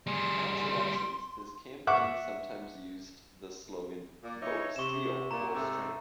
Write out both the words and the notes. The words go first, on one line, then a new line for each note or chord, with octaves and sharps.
At elections his campaign sometimes used the slogan "Vote Steele For Strength".
G3 G#4 C6
E5 F#5 C#6 D6
A#2 D5
D#4 E4 C#5
C3 C#6 E7
A#2 A#5
G#2 C3 A3